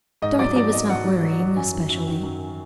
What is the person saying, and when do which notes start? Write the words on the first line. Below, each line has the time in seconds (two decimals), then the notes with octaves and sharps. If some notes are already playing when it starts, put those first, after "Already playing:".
Dorothy was not worrying, especially.
0.22 G#2 D#5
0.39 F#3 D5
0.56 F#3 D5
0.72 G#2 D#5
0.89 F#3 F#5
1.06 F#3
1.23 F#3
1.39 F#3
1.56 F#2 G#5
1.73 D#3
1.90 F#2
2.07 D#3
2.23 F#2